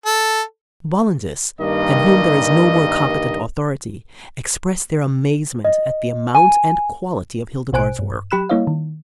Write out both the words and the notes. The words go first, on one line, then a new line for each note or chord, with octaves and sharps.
The Bollandists, than whom there is no more competent authority, express their amazement at the amount and quality of Hildegard's work.
A4
G2 D#3 G3 A#3 D#5
D#5
G#5
A#1 B2 C5 G#5 F#6 D7
G2
F#3 G4 B5 F#6 E7
G3 A#3 E4 C#5 D#5 F5
D#3